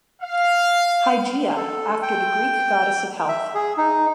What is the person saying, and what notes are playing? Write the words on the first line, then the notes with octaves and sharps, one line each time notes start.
Hygeia after the Greek goddess of health.
F5
A4
G5
E5
G#4
D#4